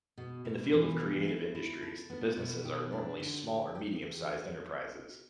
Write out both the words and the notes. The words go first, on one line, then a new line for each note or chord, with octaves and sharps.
In the field of creative industries, the businesses are normally small or medium-sized enterprises.
B2
B2
E3
E3
E4
E4
A4
B3
B2
G4
D4
D3
G4
G4
E2